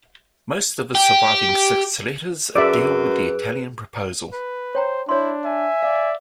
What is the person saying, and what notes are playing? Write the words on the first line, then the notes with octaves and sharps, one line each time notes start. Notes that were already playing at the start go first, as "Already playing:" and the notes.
Most of his surviving six letters deal with the Italian proposal.
G4
F#2 G#4 B4 D5 E5 E6 D7
B4
C5 C#5 G5 A#5
D4 E4 C#5 C6
E5 G#5
D5 F5